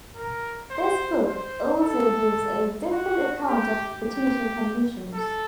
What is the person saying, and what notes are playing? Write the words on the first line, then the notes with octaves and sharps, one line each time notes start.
This book also gives a different account of the teaching conditions.
A#4
C5
C5
A4
F#4
G4
G4
A4